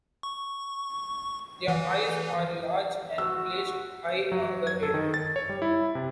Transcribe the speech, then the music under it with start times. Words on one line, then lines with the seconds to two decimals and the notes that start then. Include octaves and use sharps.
Their eyes are large and placed high on the head.
0.23 C#6
1.68 E3
3.18 F#4 E6
4.32 F#3
4.67 G#6
4.83 A4
4.94 D#3
5.14 A6
5.36 C#5
5.49 G3
5.62 E4
5.95 C3